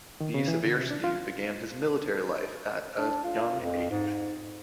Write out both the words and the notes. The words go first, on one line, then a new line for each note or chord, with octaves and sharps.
De Seversky began his military life at a young age.
D#3
C#3
E3
D3
C3
D4
F4
D4
F4
F2
G#2